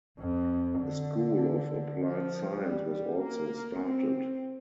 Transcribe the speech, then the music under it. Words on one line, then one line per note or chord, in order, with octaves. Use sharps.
A school of applied science was also started.
F2
D3
F3
G3
G3
A#3
C4